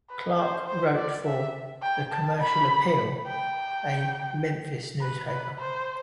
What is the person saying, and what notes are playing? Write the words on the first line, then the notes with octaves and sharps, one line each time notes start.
Clark wrote for "The Commercial Appeal", a Memphis newspaper.
B4
C5
C5
D5
E5
G5
A5
B5
G5
B4
B4
C5